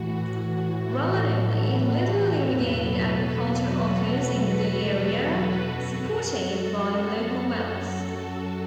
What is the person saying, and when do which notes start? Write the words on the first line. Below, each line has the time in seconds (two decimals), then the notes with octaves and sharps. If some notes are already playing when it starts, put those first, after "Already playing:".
Relatively little irrigated agriculture occurs in the area, supported by local wells.
Already playing: A2 E3 F#4
0.84 A4
1.64 B4
2.45 E2 B2 F#3 B4
2.85 A4
3.25 A4
3.66 F#4
5.67 F#2 F#3 F#4
6.48 A4